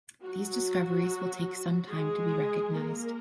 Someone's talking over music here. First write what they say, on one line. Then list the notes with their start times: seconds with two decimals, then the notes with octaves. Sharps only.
These discoveries will take some time to be recognized.
0.22 F#3 F#4
1.90 G#3 G#4
2.72 A#3 A#4